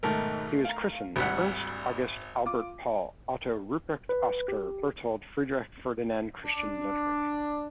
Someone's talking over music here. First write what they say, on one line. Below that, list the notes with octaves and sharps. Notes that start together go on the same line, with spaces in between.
He was christened, "Ernst August Albert Paul Otto Rupprecht Oskar Berthold Friedrich-Ferdinand Christian-Ludwig".
B1 G#2 D#3 A3 A#4
F5 A#5
G#1 D2 G3 F#5 B6
F4 D6
B4
G4
D4